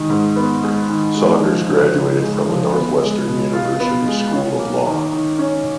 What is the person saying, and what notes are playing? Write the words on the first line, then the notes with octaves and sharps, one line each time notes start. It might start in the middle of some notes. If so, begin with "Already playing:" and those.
Saunders graduated from the Northwestern University School of Law.
Already playing: D#3 G#3
G#2
B3
G#3
D#3
G#3
F3
C#3
C#3
G#3
F3
B3
G#3
B2
F4
B3
G#3
C#4
A#3
D#3
D#3
C#4